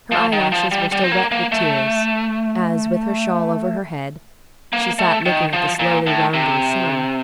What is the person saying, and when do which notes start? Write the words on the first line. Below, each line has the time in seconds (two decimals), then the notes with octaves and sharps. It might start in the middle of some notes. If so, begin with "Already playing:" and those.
Her eyelashes were still wet with tears, as, with her shawl over her head, she sat looking at the slowly rounding sun.
0.12 F3
0.32 D#3
0.52 F3
0.71 G3
0.92 G3
1.04 C4
1.12 A#3
1.32 A#3
1.52 A3
4.73 A#3
4.99 A3
5.26 D#3
5.53 F3
5.79 A#2
6.07 A2
6.34 C3